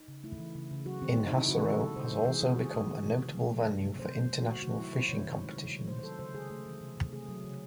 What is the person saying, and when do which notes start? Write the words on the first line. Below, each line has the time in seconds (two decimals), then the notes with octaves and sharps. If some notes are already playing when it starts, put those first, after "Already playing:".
Inhassoro has also become a notable venue for international fishing competitions.
Already playing: D#4
0.08 C#3
0.24 A3 E4
0.39 E3
0.55 C#3
0.71 C#3
0.86 F#3 F#4
1.02 D#3 C4
1.17 A3 D#4
1.28 D#4
1.33 C3 E4
1.49 C#3 F#4
1.64 G#3 A4
1.80 G#3 A4
1.96 C#3 C5
2.12 G#3 C5
2.27 E3 G#4
2.43 C#3 F#4
2.58 C#3 G#4
2.74 A3
2.90 E3
3.06 C3
3.22 C3
3.37 A3
3.52 F#3
3.68 C3
3.84 C3
3.99 D#3 C5
4.15 A3
4.31 A3
4.41 F#4
4.46 D#3
4.62 A3 F#4
4.78 F#3 E4
4.94 C3 C5
5.09 C3 C#5
5.25 D#3
5.41 G#3
5.56 G#3
5.72 D#3
5.87 A3 C5
5.99 C5
6.03 F#3 A4
6.19 C#3 C5
6.34 C#3 G#4
6.50 A3 G#4
6.66 E3
6.81 C3
6.97 C3
7.13 A3 G#4
7.28 F#3
7.44 C#3